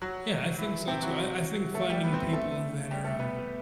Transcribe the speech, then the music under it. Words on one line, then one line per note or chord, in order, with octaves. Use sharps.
Yeah. I think so too. I I think finding people that are, um
F#3 F#4
E3 E4
C3 C4
F#3 F#4
A3 A4
G3 G4
B3 B4
C4 C5
B3 B4
A3 A4
G3 G4
A3 A4
B3 B4